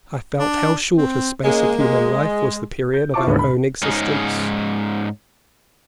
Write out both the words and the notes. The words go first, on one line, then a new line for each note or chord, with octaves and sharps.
I felt how short a space of human life was the period of our own existence.
D4
C4
C#3 G#3 A#3
G#3
G6
E4 F4 C5 A5 C#6 D6
D#2 A2 D3 G#3 B3
B5
G#2 C#4 D#4